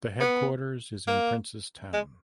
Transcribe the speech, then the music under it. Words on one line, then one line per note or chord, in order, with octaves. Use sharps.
The headquarters is in Princes Town.
B3
A#3
G#3